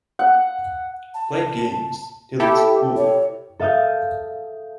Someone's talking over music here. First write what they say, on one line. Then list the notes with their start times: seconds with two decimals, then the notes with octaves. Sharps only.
Play games, till it's cooler.
0.19 F#5
1.14 A5
2.40 E4 G4 A4 E5
2.96 C#5
3.60 A4 E5 F5 D#6 G6